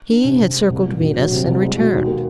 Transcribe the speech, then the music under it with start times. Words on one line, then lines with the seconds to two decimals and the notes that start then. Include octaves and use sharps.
He had circled Venus and returned.
0.10 D4
0.24 C3
0.41 C3
0.56 G#3
0.70 C2
0.85 A#2
1.00 D2
1.15 F#3
1.31 C3
1.46 C2
1.62 G#3
1.77 B2
1.92 D#2
2.07 A#3